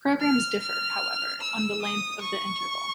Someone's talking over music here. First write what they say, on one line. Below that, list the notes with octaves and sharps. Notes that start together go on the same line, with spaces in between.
Programs differ, however, on the length of the interval.
F6
F6
E6
D#6
C#6